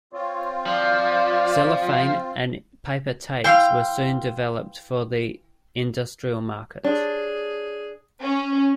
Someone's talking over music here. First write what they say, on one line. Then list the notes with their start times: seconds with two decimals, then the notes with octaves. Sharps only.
Cellophane and paper tapes were soon developed for the industrial market.
0.13 C4 F4 C#5
0.66 F3 D5
3.44 E3 F5 G5 C6
6.84 D4 G4 G#4 C#5
8.21 C#4